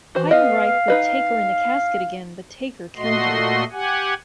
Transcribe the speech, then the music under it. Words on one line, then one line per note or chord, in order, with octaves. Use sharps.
Heidenreich put 'Taker in the casket again but 'Taker countered.
E3 F#4 C5
B3 D#5 F5
D#4 B4 D#5
A#2 A3 F#4 D#5 C6
G4 F#5 G#5